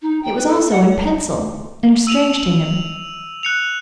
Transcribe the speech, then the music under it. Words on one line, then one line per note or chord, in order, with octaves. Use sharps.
It was also in pencil, and strange to him.
D#4
G5
B4
A4
F#5
E6 D#7 F7 F#7
F#6 C#7 F7